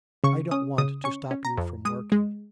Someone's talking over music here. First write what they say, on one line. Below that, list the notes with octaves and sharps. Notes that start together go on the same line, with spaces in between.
I don't want to stop you from working.
C#3 C#6
C#4 D#6
C#3 D#6
C#4 C#6
C#4
A#5
F2
G#3 D#6
G#3